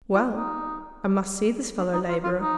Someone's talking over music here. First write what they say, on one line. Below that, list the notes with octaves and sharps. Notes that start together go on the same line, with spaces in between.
Well, I must see this fellow-laborer.
F4
D#4
D4
D#4
F4
F4
D#4